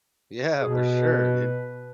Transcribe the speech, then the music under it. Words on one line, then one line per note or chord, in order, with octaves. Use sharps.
Yeah, for sure, dude.
B2 G#4
B4